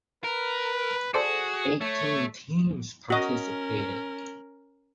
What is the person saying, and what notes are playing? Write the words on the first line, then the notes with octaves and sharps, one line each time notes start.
Eighteen teams participated.
A#4 B4
F#4 G#4 A4 C5 D5
A3 C#5
C#4 F#4 A#4 D#5